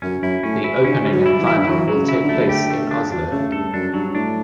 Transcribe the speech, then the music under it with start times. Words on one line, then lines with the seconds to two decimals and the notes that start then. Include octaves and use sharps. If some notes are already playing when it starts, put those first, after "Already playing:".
The opening and final will take place in Oslo.
0.02 F#2 C#4
0.22 F#2 E4
0.43 A2 C#4
0.64 E4
0.84 D3 C#4
1.05 G3
1.12 F#3
1.26 E4
1.40 E3
1.47 E4
1.58 D3
1.67 E3 F#3
1.88 F#3
1.95 C#3
2.09 E4
2.22 D3
2.29 A3
2.49 G4
2.70 A3
2.91 D4
3.12 D4
3.32 C#3 A3
3.52 G2 A4
3.73 F#2 D4
3.94 G2 F#3
4.15 A2 D4